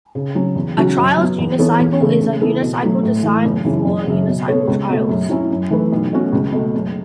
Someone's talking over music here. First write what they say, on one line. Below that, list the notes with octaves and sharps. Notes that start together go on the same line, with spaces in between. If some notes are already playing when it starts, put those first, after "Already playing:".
A "trials unicycle" is a unicycle designed for unicycle trials.
C#3
F#3 C#4
E2
C#3 F#3 C#4 F#4
F#2
F#3 B3
E2
E3 B3 A4 C#5
E2
C#3 A3
C#3
E3 B3 A4
B2
F#3 A3
A2
E3 A3
F#1
F#2 C#3 E3
F#1
F#2 C#3
B2
B3 A4 C#5
C#2
B2 A3
F#2
F#3 C#4 E4
F#2
E3 A3 E4 B4
B1
B2 A3 C#4 F#4
C#2
B2 A3
F#1